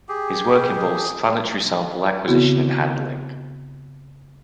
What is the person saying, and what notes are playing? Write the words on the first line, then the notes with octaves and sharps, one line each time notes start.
His work involves planetary sample acquisition and handling.
G4 G#4
C#3 B3 C4 E4 F#4